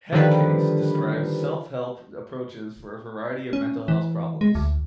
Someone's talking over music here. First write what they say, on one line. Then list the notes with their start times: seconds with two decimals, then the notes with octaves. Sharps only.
"Head Case" describes self-help approaches for a variety of mental health problems.
0.12 D3 D#3 F3 G3 B4
3.53 C#4
3.88 E3
4.41 G#3
4.55 D2